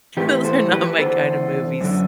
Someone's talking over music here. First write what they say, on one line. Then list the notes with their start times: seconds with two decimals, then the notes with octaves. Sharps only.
Those are not my kind of movies.
0.17 A2 E3 G4 B4
0.44 A4 C5
0.72 G4 B4
0.99 E2 D3 A4 C5
1.81 F#2 D3